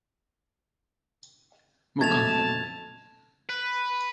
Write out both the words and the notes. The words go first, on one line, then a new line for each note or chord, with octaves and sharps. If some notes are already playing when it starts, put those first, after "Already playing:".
Mukang Family.
F2 F#3 A3 A#3 A5 G#6 A6 F7
B4